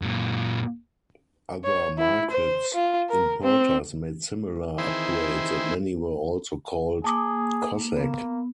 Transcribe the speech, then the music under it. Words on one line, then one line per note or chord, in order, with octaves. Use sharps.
Other markets' importers made similar upgrades and many were also called "Cossack".
F#2 A#2
C#5
E4
C5
F4
A#4
C4
D#3 E3 C4 E4 G#4 C5
A#3 G#4 A5 D6 D#6
A#3 B3